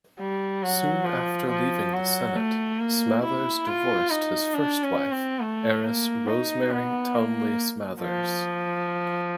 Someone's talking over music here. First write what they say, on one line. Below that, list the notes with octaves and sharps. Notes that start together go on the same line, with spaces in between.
Soon after leaving the Senate, Smathers divorced his first wife, heiress Rosemary Townley Smathers.
G3
F#3
F3
F3
F#3
A3
A#3
E4
F4
D#4
D4
C#4
C4
A3
A#3
D#4
B3
A#3
F3